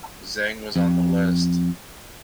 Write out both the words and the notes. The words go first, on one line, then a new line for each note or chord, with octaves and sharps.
Zheng was on the list.
F2